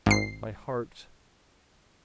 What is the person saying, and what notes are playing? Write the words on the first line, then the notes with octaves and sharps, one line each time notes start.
My heart.
G#1 C7